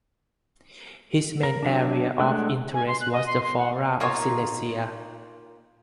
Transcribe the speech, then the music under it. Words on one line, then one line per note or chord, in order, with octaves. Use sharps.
His main area of interest was the flora of Silesia.
A#4
F#3 D4
G#3 A3 D4 F#5 E6
G#5
C6
F#6
D#5
C6
C6
F#5
A#3 D#4 F4 C#5